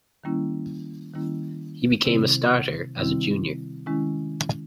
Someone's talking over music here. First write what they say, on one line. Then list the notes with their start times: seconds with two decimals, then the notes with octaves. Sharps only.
He became a starter as a junior.
0.24 D#3 G3 A#3 C#4 E4
1.14 D#3 G3 A#3 C#4 E4
2.05 C3 D#3 G3 C4 E4
2.96 C3 D#3 G3 C4 E4
3.86 D#3 G#3 C#4 E4